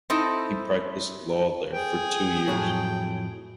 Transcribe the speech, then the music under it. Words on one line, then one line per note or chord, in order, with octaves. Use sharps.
He practiced law there for two years.
C4 D#4 E4 A4 D#5
G#4 G5
F2 A2 F#3